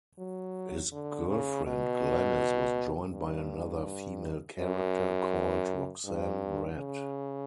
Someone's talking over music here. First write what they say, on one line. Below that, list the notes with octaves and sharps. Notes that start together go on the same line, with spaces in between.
His girlfriend Glenis was joined by another female character called Roxanne Rat.
F#3
D3
C#3
B2
G2
F#2
G2
C#3